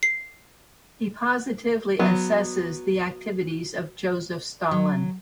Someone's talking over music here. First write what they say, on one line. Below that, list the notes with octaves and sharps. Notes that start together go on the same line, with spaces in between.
He positively assesses the activities of Joseph Stalin.
C7
F#3 B3
F#3